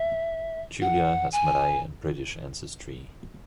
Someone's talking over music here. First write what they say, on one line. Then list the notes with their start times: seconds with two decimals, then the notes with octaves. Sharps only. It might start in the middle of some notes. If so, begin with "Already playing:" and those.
Julia has Malay and British ancestry.
Already playing: E5
0.82 F#5
1.33 G#5